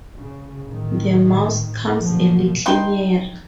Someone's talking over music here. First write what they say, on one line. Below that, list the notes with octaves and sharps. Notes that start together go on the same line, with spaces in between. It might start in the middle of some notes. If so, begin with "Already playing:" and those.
The Mouse comes a little nearer.
C#3
A2 D#3
F#2 B2 D3 F3 A#3
D#4 G5 C6